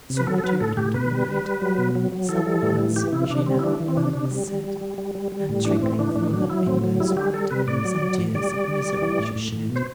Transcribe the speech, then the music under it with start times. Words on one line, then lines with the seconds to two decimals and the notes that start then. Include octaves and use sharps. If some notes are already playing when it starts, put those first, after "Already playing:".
To solitude and to the night, Some words she now, in murmurs, said; And trickling through her fingers white, Some tears of misery she shed.
0.10 C3
0.17 B4
0.27 F#3 A4
0.38 A4
0.44 F#3 B4
0.60 A2 A4
0.77 A2 G4
0.94 B2 B4
1.11 G3
1.28 G3
1.45 G3
1.61 F#3
1.78 B2
1.95 F#3
2.12 F#3
2.29 E3 A4
2.46 G3
2.62 A2
2.79 E3
2.96 E3 G4
3.13 C3 E4
3.30 C3 D4
3.46 G3 C4
3.59 E4
3.64 E3 D4
3.80 E3
3.88 C4
3.97 C3 D4
4.13 C3 D4
4.31 G3
4.48 G3
4.64 G3
4.81 G3
4.98 G3
5.15 G3
5.32 G3
5.49 A2
5.65 E3 D4
5.82 A2 C4
5.99 E3 D4
6.16 A2 D4
6.33 F#3 D4
6.49 F#3 E4
6.66 A2 C4
6.83 F#3
7.00 G3 E4
7.17 G3 G4
7.34 G3 A4
7.51 C3 B4
7.67 A2 D5
7.85 F#3
8.02 F#3
8.18 A2
8.35 G3 D5
8.52 G3
8.69 G3
8.85 G3
9.02 E3
9.19 A2
9.35 A2
9.52 A2
9.70 B2
9.76 C5